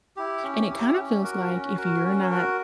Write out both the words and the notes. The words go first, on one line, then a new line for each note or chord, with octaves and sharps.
and it kinda feels like if you're not
E4 G4
C#4
E4 G4
C#4
F#4 A#4
C#4
F#4 A#4
C#4
F#4 A#4